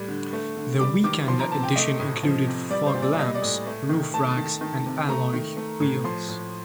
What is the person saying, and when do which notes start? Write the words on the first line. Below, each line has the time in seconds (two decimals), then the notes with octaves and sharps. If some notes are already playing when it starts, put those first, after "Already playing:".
The Weekender edition included fog lamps, roof racks and alloy wheels.
Already playing: A2 G3
0.08 D3
0.33 A3
0.56 D3
0.79 G3 D6
1.04 D#3 D6
1.28 F3 C6
1.40 A#5
1.52 C3 A5
1.63 G5
1.76 A3 D#5
1.99 A2
2.23 F3
2.47 C3
2.70 G3 D5
2.86 C5
2.95 A#2
3.02 D5
3.19 G3 D#5
3.35 D5
3.42 A2
3.66 A3
3.89 D#3
4.14 A3 A5
4.37 D#3
4.61 D#3
4.86 C3
5.08 A3 A#5
5.33 D#3
5.57 A3
5.80 A2
6.04 F3 C6
6.28 A2